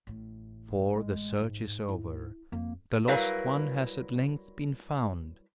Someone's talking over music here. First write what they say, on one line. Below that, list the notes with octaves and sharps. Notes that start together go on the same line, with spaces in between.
For the search is over, the lost one has at length been found.
A1 A2
G#3
G#2
E4
F2 A#3
F#3 G3 E4 A#4 B4 F5